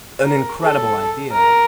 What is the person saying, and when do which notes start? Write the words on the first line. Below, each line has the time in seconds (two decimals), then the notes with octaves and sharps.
an incredible idea,
0.25 A#4
0.60 A4
1.32 A#4